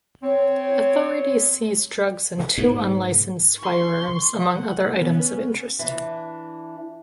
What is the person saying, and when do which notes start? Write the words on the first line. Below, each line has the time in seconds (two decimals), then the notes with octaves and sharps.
Authorities seized drugs and two unlicensed firearms among other items of interest.
0.22 C4 C#5
2.58 G#2
3.59 C6 C#6
4.43 F#5
4.91 B3 C#4
5.79 E3 D4